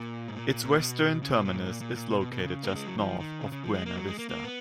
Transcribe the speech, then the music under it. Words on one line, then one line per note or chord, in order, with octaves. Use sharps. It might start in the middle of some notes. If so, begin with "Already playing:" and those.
Its western terminus is located just north of Buena Vista.
Already playing: A#2
G#2
A#2
A#2
A#2
B2
C#3
B2
A#2
G#2
A#2
A#2
A#2
B2
B2
B2
C#3
A#3
G#3
F#3
F3
D#3
C#3
C#3
F3
G#3
A#3
F#3
G#3
A#3
A#3
B3